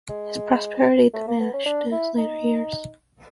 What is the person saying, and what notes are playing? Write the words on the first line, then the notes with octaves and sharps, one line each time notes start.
His prosperity diminished in his later years.
G#3
A3
A#3
B3
C#4
D4
E4
D#4